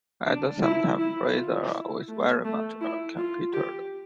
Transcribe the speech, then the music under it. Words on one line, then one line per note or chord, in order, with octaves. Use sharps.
At the same time, Burroughs was very much a competitor.
D4
E4
E4
F4
E4
A3
A3
E4
F4
G4